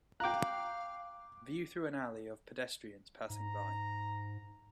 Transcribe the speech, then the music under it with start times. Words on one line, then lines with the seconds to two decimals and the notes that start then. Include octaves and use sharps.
View through an alley of pedestrians passing by.
0.20 F5 G5 A#5 D6 F#6
3.30 G#2 A#5